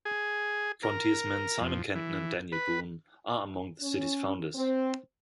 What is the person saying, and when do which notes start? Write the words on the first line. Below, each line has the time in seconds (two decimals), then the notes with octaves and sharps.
Frontiersmen Simon Kenton and Daniel Boone are among the city's founders.
0.05 G#4
0.83 A#4
1.61 F2
1.95 E3
2.52 B4
3.81 C#4
4.55 C4